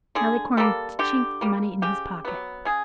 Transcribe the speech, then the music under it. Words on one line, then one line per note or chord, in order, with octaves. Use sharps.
Malicorne chinked the money in his pocket.
D3 G#4
G3 A#3 A4
D3 G4
G3 A#3
C#3 G4
F#3 B3
C#3 G#4